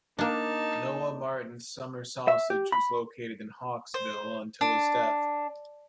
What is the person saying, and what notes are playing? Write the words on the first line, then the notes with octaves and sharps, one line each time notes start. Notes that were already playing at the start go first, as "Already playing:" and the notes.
Noah Martin's summer sausage was located in Hawkesville until his death.
A#3 D4 D#4 A5
E5
G4
B5
C5
D4